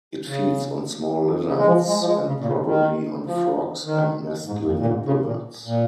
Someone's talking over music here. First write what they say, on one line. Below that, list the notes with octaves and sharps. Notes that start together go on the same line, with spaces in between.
It feeds on small lizards and probably on frogs and nestling birds.
C#3
C#3
G#3
F3
G#3
F3
G#3
C#3
A#2
C#3
D#3
F3
D#3
G#2
F2
A#2
G#2
C#3
A#2
A#2